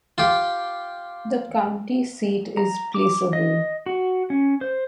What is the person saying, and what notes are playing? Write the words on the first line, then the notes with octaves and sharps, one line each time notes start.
The county seat is Placerville.
F4 G4
A#5
D6
D#5
F#4
C#4
C5